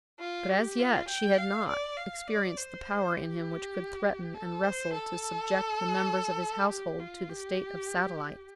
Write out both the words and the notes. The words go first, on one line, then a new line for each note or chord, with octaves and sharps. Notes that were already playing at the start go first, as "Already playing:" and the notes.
But as yet she had not experienced the power in him which could threaten and wrestle to subject the members of his household to the state of satellites.
F4
G4
F4
G5
F5
D5
F5
D5
C5
G4
A4
C5
A4
G4
F4
G4